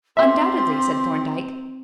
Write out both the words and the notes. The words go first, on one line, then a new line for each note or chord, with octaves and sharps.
"Undoubtedly," said Thorndyke.
C4 F4 G4 E5 C6